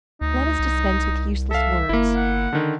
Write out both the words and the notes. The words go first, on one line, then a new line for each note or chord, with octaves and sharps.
Let us dispense with useless words.
D2 D#4
C2
A4 E5 F5
G1 A#3 E4
F#5
D3 D#3